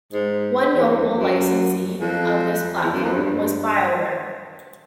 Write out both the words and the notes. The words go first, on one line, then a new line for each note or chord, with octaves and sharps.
One notable licensee of this platform was BioWare.
G#2
E2
F2
F#2
F2
E2
F#2
F2
G2
G2